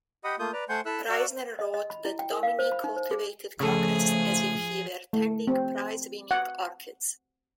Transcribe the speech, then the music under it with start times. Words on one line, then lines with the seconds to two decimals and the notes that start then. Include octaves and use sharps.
Reisner wrote that Dominy cultivated Congress as if he were tending prize-winning orchids ...
0.24 G4 D#5 F#5 B5 D#6
0.39 A3 A#3 F4 D#6 G6
0.53 B4 D5 A#5
0.69 A3 C5 F#5 G#5 C6 G6
0.86 E4 A4 E5 E6 F#6
1.09 F#4 D5 C#6 E6
1.59 D#5
1.74 D#5
1.90 B5
2.05 E4
2.19 G5
2.31 A#4
2.43 F5
2.59 C5
2.72 B5
2.84 D#4
2.96 C5
3.11 G#4
3.60 C#3 F3 A3 G#4 A4
5.13 A3
5.47 C4
6.31 F#5